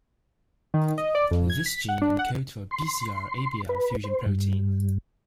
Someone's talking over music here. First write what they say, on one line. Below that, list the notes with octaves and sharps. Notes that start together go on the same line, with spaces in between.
This gene encodes for a Bcr-abl fusion protein.
D#3
D#5
D5
F2
G#6
B6
F#5
D4
F#5
C6
B4
C5
G2